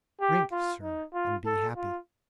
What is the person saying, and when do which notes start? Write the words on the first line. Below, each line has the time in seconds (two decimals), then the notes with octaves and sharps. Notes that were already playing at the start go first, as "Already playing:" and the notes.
Drink, sir, and be happy!
0.21 G4
0.52 F4
0.82 D#4
1.14 F4
1.46 A4
1.76 F4